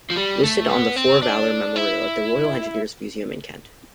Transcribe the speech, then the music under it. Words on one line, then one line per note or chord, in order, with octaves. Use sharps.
Listed on the "For Valour" memorial at the Royal Engineers Museum in Kent.
F3
G3
A3
B3
C4
D4
E4